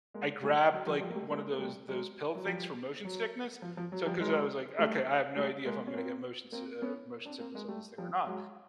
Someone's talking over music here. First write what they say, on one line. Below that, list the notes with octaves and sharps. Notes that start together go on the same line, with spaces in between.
I grabbed, like, one of those those pill things for motion sickness, so 'cause I was like, "Okay, I have no idea if I'm gonna get motion si oh, motion sickness on this thing, or not."
G#3 A#3
G3 A3
F#3
F3 G3
F3 G3
A#3
G3 A3
G#3 A#3
A#3
G3 A3
F#3 G#3
F#3
F3 G3
F#3
F3
F3
F#3
F3 G3
F#3 G#3
G3 A3
G3 A3
G#3 A#3
C#4
A#3 C4
A#3 C4
B3 C#4
C4 D4
A#3 C4
G#3 A#3
G3 A3
F3 G3
F#3 G#3